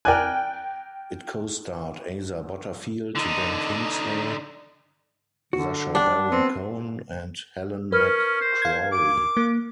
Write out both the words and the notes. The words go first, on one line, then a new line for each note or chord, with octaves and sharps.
It co-starred Asa Butterfield, Ben Kingsley, Sacha Baron Cohen and Helen McCrory.
A#4 D5 G5 G#5 F#6
D3 D#4
D3 F#4
G3 D4 F#5
B3 C4
C#4 A#4 B4 F6
C5
F5 G#6
D6
A#3